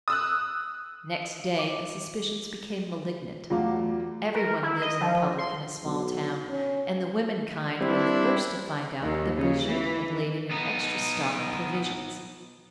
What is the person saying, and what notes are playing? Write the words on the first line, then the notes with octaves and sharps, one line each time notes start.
Next day the suspicions became malignant. Everyone lives in public in a small town, and the women-kind were the first to find out that Brigitte had laid in an extra stock of provisions.
D#6 E6 F#6
D6
E2 F#3 A3 F4 F5 D6
A#4
E4
D#5
F3
C6
B1
C#4
G3 C4 D4 E4
D#2
C#3
E3
B3 D#4